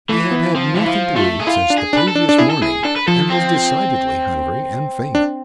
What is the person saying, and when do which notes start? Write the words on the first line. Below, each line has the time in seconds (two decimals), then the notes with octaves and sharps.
He had had nothing to eat since the previous morning, and was decidedly hungry and faint.
0.09 E3 A3
0.31 B3
0.54 F3 C4
0.75 E3
0.86 F3 E4
1.16 A3 F4
1.40 G#4
1.47 E4 F4
1.70 D4
1.78 G#4
1.93 D4
1.97 B4
2.08 A4
2.15 D4
2.29 D4
2.38 E4 G#4
2.50 A4
2.62 E4 G#4
2.84 D4 A4
2.96 B4
3.07 F3 A4
3.30 C4
5.15 D4